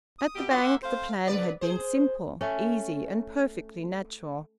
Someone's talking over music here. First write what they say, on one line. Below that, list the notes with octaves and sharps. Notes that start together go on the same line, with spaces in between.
At the Bank the plan had been simple, easy, and perfectly natural.
D#6
B2 G4
D3 F#3 F4 F#5 C6 D6
A#3 C5 E5
A3 C4 C5 F5
C#3 B4 D5
G#4 C5
A3 C#4